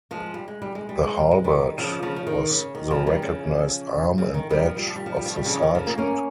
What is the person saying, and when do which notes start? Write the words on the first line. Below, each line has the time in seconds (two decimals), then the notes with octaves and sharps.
The halberd was the recognized arm and badge of the sergeant.
0.11 F3 G#3
0.34 G3
0.48 G#3
0.62 G3
0.75 G#3
0.89 G3
1.04 G#3
1.17 G3
1.31 G#3
1.44 D#3 G3
1.78 C#3 F3
2.02 C#3 F3
2.16 C#3
2.27 D#3
2.50 C#3
2.75 D#3
2.90 C#3 F3
3.07 D#3 G3
3.22 C#3 F3
4.18 C#3
4.34 D#3
4.50 D#3 G3
4.66 F3
4.77 G3
4.87 F3
4.96 G3
5.06 F3
5.16 G3
5.26 F3
5.36 G3
5.45 C#3 F3
5.62 D#3
5.75 C#3 F3
5.86 A#3 C#4
5.98 A#3 C#4